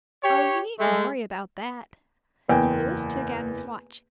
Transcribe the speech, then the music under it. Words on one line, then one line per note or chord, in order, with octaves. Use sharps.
"Oh, you needn't worry about that," and Louis took out his watch.
G4 C#5
G#3 A3
F#1 E2 G5 G#5